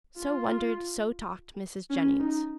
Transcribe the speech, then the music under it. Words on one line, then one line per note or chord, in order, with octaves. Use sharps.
So wondered, so talked Mrs. Jennings.
F4
C#4
D#4